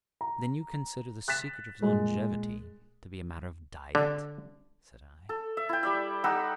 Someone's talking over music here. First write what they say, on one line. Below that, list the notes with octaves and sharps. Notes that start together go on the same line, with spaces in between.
"Then you consider the secret of longevity to be a matter of diet?" said I.
A#5
F#6 A6 B6 E7
A#2 G#3
D3
A4
E5
E4 G5
G3 D5 E5
G3 D#4 F#5 E6